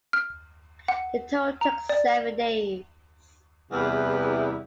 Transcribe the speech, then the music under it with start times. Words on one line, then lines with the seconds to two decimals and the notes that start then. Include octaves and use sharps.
The tow took seven days.
0.13 F6
0.88 F#5
1.61 A#5
1.89 D5
3.71 E2 C3 G3 E4 G#4 B4